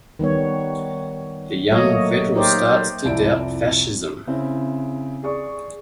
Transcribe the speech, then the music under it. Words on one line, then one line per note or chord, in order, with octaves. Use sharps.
The young federal starts to doubt fascism.
D#3 G3 B3 C#5
A#2 F#3 A3 A#3 C#5 D#5
D#4 G4 A#4 C5 D5
C2 F2 E4 D5 D7
C#3 C4 E4
G#4 D5 C#6